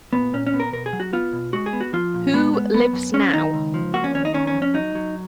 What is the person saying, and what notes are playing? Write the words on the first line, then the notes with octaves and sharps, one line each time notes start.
Who lives now?
A#2 B3
A#2 C#4
C#4
B3
A#4
B2 A#4
G#4
F#3
F#4
B3 F4
B2
G#3 F#4
G#4
B3
F#4
F3 F4
A#2
G#3 B3
B3
F#2 B3
F#2
F#2 C#4
D#3 D#4
C#2
F3
A#3 F#4
C#4
D#2 C#4
D#4
D#3 C#4
C#4
F2
C#4
F#3 D#4
F#3